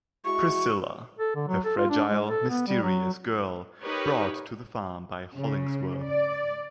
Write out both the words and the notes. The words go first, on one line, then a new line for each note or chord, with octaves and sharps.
Priscilla: A fragile, mysterious girl brought to the farm by Hollingsworth.
G#3 E4 F#4 C#6
A4
D3
F#3
A4
F4
D4
G#3
A4
B3
G3
F#3
D#4 G4 A#4 B4 C#5
C#3
D5